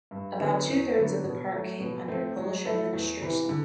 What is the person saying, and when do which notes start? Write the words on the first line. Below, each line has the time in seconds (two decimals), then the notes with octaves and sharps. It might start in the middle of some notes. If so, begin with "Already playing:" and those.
About two thirds of the park came under Polish administration.
0.11 G2
0.40 D3 F#3 B3
0.68 E2
0.96 D3 F#3 B3
1.24 B2
1.52 F#3 A3
1.80 B2
2.08 A3 C4
2.37 F#3
2.65 A3 E4 A4
2.93 E2
3.21 C3 E3
3.49 D3